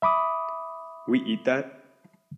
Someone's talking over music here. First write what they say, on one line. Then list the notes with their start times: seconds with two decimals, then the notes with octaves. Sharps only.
We eat that?
0.02 E5 B5 D6 D#6